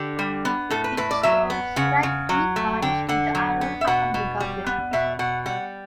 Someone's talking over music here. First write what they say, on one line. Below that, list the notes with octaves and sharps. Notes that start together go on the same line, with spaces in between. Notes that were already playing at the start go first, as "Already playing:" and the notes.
If so, strike three times with the iron upon the goblet.
Already playing: D3 G4
G3
B3
A2 A4
B4
A2 B4
D5
F#3 E5
B3
C#3 F#5
C#3
F#3
A3
D3 G5
D3 F#5
F#3
B3
E5
B2 F#5
B2
G3
B3
B2 E5
B2 F#5
G3 F#5